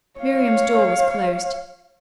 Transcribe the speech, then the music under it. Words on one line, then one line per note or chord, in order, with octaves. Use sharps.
Miriam's door was closed.
C#5 F5